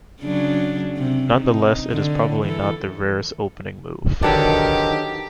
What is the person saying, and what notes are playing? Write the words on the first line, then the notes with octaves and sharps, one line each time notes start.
Nonetheless, it is probably not the rarest opening move.
C#3 F#3 D4
C3
D#4
D3
E3 A4
D3 D#3 F#3 D4 G4 A4 B4 D5